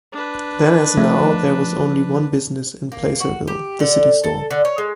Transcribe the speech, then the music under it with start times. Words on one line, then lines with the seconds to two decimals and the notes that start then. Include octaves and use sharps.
Then as now there was only one business in Placerville, the city store.
0.12 D4 B4
0.97 F3 A3
2.92 A#3
3.20 F#4
3.48 G4
3.80 D3
4.24 A4
4.51 D3
4.65 C#5
4.78 G#3